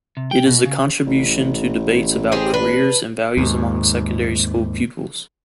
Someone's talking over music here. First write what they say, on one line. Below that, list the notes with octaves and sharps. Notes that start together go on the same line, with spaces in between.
It is a contribution to debates about careers and values among secondary school pupils.
C3
G5
B2
C#3
A1
C4 G4 G#4
D4 B4
D#2 G#2